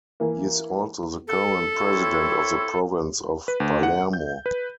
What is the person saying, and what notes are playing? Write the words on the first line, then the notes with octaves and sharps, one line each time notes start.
He is also the current President of the Province of Palermo.
E3 A#3
A4
C4 E4 C#5
B4
D2
F#5
G6
B4